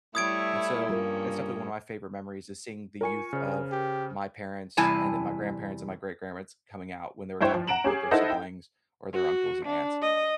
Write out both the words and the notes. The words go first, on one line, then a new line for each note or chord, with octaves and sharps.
And so that's definitely one of my favorite memories is seeing the youth of my parents, and then my grandparents and my great-grandparents coming out when they were talking with their siblings or their uncles and aunts.
G3 A3 E4 C#5 D#6 G#6 D7
G2 G3 A#3 C#4 F4 A#4
F4 A#4 G#5 C#6 C#7
C#3 C5 F6
G4
E2 C3 G3 E4 G#5 A5
G2 E4 C5 C#5 G5
F3
F#5 A#5 D7 E7 F#7
C#4 G4 G#4
D#4 E4 A4 C5 D#5 F#5
G5
F#4
D4
D#5